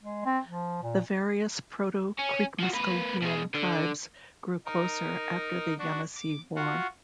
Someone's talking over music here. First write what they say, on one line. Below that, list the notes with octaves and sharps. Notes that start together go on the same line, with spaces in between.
The various proto-Creek Muskogean tribes grew closer after the Yamasee War.
G#3
C4
F3
A#2
C#4
F3 F#4
A#3 B4
B2 G#3
D3
D#4 A#4
D4 F#4
D6
F4 F#4 F#5